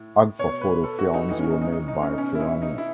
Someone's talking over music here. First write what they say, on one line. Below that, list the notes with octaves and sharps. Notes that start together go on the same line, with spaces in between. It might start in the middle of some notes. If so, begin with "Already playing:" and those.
AgfaPhoto films were made by Ferrania.
Already playing: A2
B2 C#5
B4
A4
F#4
D#4
A2 E3 D#4
C#4
D#4
D#4
D#4
D#4
C#4
D#4
B2 C#4
E4
D#4
D#4
E4